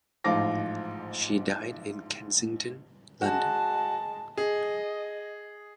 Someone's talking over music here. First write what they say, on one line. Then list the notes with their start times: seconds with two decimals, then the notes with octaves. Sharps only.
She died in Kensington, London.
0.24 A1 G#2 F3 F4 D6 A#6
3.22 G#3 F#4 A5
4.38 G#4 D#5